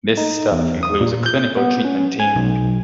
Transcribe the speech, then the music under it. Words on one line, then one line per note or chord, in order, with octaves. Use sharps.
This staff includes a clinical treatment team.
D#4
E2
D#6
A#2
G6
B3
C#4
G#5
B1